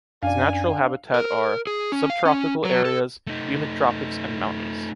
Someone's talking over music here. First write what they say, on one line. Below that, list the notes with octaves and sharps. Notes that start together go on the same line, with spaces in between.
His natural habitat are: subtropical areas, humid tropics and mountains.
F#2 D4 D5 F5 G#5
A#4
G#4
C#4
F5
C#4
F#3
A4
A3 D#4